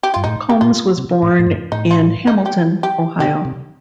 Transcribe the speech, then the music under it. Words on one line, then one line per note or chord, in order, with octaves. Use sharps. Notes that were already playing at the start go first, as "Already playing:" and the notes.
Combs was born in Hamilton, Ohio.
G4
G2 F4
A2 D#4
G4
A#2 F4
C3
A2
A2
G2
A2 D#4
F4
D#4
G4
G4
C3 G4
C3